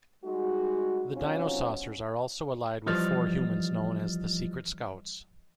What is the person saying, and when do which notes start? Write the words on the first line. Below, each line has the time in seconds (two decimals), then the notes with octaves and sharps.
The Dinosaucers are also allied with four humans known as the Secret Scouts.
0.24 G3 G#3 D#4 F#4
1.14 C3 F#3 B3 C#4 D#4 F4
2.87 E3 F3 G3 D#5 F6 A6